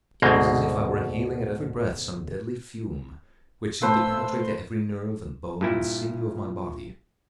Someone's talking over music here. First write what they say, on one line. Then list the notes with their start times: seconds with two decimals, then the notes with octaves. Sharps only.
It was as if I were inhaling at every breath some deadly fume, which seemed to penetrate to every nerve and bone and sinew of my body.
0.22 D2 G#2 B2 G#3 A#3 C4
3.82 G2 A3 B4 C5 F5 A5 E6
5.61 G2 A#2 E4